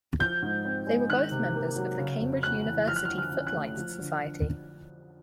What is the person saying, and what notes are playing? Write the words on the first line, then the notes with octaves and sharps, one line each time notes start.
They were both members of the Cambridge University Footlights society.
F3 G6
G#2
C4
G#3
D#3 F#6
C3
A#3
F#3
C#3
F2
A3 F#6
E3
F3 F6
F#6
F6
D3
F6
C#4
F#6
A3
F3
D3
D3